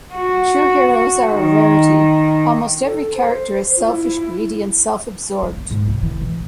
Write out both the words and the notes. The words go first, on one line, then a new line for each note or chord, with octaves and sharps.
True heroes are a rarity: almost every character is selfish, greedy, and self-absorbed.
F#4
D#3
A4
C5
F4
E4
G3
E2
G#2
C2
E3
A#1